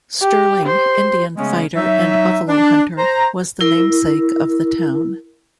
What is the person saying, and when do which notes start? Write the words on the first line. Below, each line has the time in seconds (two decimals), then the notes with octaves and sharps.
Sterling, Indian fighter and buffalo hunter, was the namesake of the town.
0.21 G4
0.66 C5
1.37 C#3 G#3 A3 B3 C#4
1.75 F#3 D#4 E5
2.47 D4
2.97 C5 A#5
3.61 E4 A#4